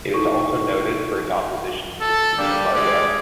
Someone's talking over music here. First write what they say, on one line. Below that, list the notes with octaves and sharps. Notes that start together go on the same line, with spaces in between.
It is also noted for its opposition to the Cuban embargo.
D#4 E4 A4 C#6
A4
A#2 G3 A#3 D4
G#3 A3 G4 D5